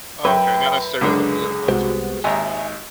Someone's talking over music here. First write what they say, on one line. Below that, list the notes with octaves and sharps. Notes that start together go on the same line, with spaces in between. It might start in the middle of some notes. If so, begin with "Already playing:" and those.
Oh, okay, not necessarily the political aspect, but, just, um,
F#2 B4 E5 G5
C#2 F#2 D3 D4 G#4
C2 G#3 B3 F#4 G4 C5
G#1 D#2 D#5 E5 G#5 A#5